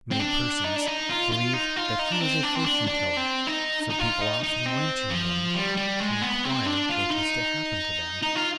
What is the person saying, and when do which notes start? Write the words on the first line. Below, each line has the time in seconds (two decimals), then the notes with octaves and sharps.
Many persons believed that he was a fortune-teller, so people often went to him to inquire what was to happen to them.
0.11 C4
0.20 D4
0.64 D#4
0.76 D4
0.86 D#4
1.10 F4
1.32 F4
1.53 D#4
1.76 F4
1.99 D#4
2.12 D4
2.20 C4
2.43 D4
2.55 C4
2.65 D4
2.87 D4
3.17 C4
3.47 D#4
3.90 D#4
3.99 F4
4.21 D#4
4.43 D#4
4.66 C4
5.10 F3
5.55 G3
5.77 G3
6.00 G#3
6.22 B3
6.44 C4
6.66 D4
6.89 F4
7.11 D#4
8.22 D#4
8.36 F4